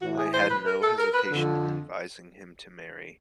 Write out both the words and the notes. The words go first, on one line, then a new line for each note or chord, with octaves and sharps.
I had no hesitation in advising him to marry.
A2 E3 F#4
G#4
C5
B4
A#4
A4
A#4
B4
F2 D3